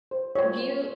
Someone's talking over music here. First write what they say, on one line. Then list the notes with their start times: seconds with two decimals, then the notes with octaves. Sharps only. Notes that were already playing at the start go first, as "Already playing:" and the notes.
Have you
0.11 C5
0.35 F4 C#5
0.59 C5